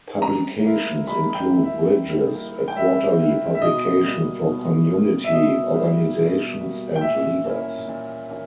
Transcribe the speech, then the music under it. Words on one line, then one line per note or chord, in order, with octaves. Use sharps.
Publications include "Bridges", a quarterly publication for community organizations and leaders.
G3 A#5
A#3 E4
G3 B5
G5
A#3 E4
E5
G3
A#3 E4
G5
G3 E5
A#3 E4
E5
B2 D#5
G3 A#3
B2
G3 A#3
E5
B2 D#5
G3 A#3
B2
G3 A#3
G5
A#2 E5
A#3 C#4 E4
A#2
A#3 C#4